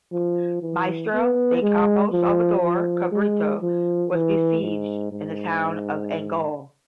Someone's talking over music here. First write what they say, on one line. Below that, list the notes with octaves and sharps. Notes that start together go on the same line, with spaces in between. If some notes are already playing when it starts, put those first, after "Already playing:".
Maestre de campo Salvador Cabrito was besieged in the town of Angol.
F3
E3
B3
G#3
F3
F3
G#3
F3
E3
G#2
G#2